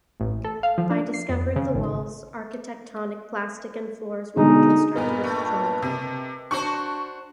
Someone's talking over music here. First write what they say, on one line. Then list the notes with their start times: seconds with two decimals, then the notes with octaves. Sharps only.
By discovering the walls, architectonic plastic and floors were reconstructed electronically.
0.20 A1
0.44 A4
0.63 F5
0.78 F3
0.90 D4
1.14 C7
1.29 F2
1.56 C#3
1.74 G#1
4.36 B2 D3 G#3 D#4
4.96 G2 A#2 B3 A#4 B4 D#5
5.24 A3
5.82 C3
6.51 D4 F#4 C5 C#6